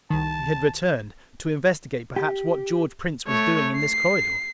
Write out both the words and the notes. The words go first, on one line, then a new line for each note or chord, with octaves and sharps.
He had returned, to investigate perhaps what George Prince was doing in this corridor.
C2 D#3 A5
G4
A3 C#5
C7